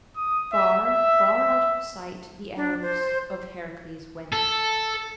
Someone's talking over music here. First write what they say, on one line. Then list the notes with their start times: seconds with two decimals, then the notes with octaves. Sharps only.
Far, far out of sight the arrows of Heracles went.
0.17 D#6
0.52 E5
0.85 E5
1.26 E5
2.56 D4
2.82 C5
4.33 A4